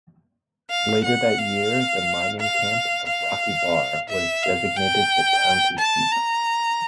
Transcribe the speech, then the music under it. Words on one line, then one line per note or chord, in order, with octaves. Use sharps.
Later that year the mining camp of Rocky Bar was designated the county seat.
F5
F#5
F5
F5
F5
E5
F5
G5
A5
A#5